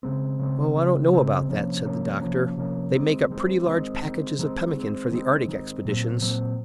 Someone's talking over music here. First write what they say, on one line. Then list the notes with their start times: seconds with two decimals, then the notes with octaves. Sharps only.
"Oh, I don't know about that," said the doctor, "they make up pretty large packages of pemmican for the arctic expeditions."
0.03 C#3 G#3 C4
0.39 C#3 G#3 C4
0.76 C#3 G#3 C4
1.12 C#3 G#3 C4
1.48 C3 F3 A#3 C#4
1.84 C3 F3 A#3 C#4
2.21 C3 F3 A#3 C#4
2.57 C3 F3 A#3 C#4
2.93 D#3 G#3 C4
3.30 D#3 G#3 C4
3.66 D#3 G#3 C4
4.03 D#3 G#3 C4
4.39 D#3 G#3 C4
4.75 D#3 G#3 C4
5.12 D#3 G#3 C4
5.48 D#3 G#3 C4
5.85 A#2 F#3 C4
6.21 A#2 F#3 C4